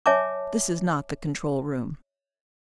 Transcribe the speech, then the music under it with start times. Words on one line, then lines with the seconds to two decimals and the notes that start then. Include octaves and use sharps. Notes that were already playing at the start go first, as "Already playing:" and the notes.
"This is not the control room."
0.06 C#5 E5 G#5 A5 D6